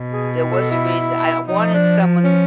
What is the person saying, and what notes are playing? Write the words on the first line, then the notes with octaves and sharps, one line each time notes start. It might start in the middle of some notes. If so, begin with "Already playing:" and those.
There was a reason, I wanted someone
Already playing: B2
G#4
A4
E4
F3 D#4
D4
C#4